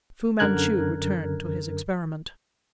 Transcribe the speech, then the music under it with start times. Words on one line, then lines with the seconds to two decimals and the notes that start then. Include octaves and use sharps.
Fu-Manchu returned to his experiment.
0.39 F#2 D3 A#4 F#6 G#6